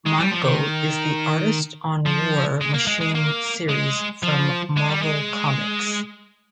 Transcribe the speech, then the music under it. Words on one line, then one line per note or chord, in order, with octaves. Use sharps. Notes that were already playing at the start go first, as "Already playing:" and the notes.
Manco is the artist on War Machine series from Marvel Comics.
G#3
G3
F3
D#3
F3
G#3
A#3
G#3
G#3
A#3
G#3
F3
G#3
G3
G#3